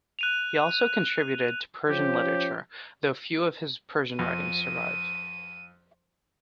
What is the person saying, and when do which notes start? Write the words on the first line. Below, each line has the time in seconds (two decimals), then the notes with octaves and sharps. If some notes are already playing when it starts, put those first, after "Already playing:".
He also contributed to Persian literature, though few of his Persian writings survive.
0.19 F#6 D#7 F7
1.89 F3 C#4 G4
4.19 F2 D#7